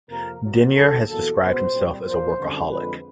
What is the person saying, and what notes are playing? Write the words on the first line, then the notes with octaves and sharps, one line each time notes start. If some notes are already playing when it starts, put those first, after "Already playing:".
Denyer has described himself as a "Workaholic".
F2 C3 F3 A#3 A#4
A2 F#3 B3
D#2 D3 F#3 A4
E2 B2 F#3 A#3 A4
C#2 B2 G#3 B3 C5
A#2 G3 C4
A#2 F3 A#3 C5
F#2 D3 G3 C4
F2 D3 F3 G#3 B4